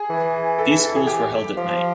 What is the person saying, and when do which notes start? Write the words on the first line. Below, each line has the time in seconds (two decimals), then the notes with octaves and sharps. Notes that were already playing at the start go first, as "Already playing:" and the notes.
These schools were held at night.
Already playing: G#4
0.10 E3
0.58 A4
0.71 A4
0.84 A4
0.95 G#4
1.07 G4
1.57 F3